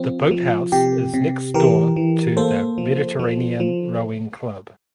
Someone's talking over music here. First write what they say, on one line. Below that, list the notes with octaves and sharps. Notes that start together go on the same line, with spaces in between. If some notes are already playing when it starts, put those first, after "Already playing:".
The boathouse is next door to the Mediterranean Rowing Club.
Already playing: F3 C4 F4
F3
C3 G4
C3
E3 G4 A#4
E3
A#3 A4 C5
F3
F3
F3